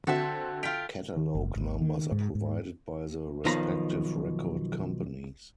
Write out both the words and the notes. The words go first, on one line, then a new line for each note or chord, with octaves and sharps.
Catalogue numbers are provided by the respective record companies.
D3 C4 F#4 A4 E5
F4 G5 B6 D7 F7
D#3
F#1
G#1
D#3
G#2
G#2
B1 B2 D#3 F3 A#5 B5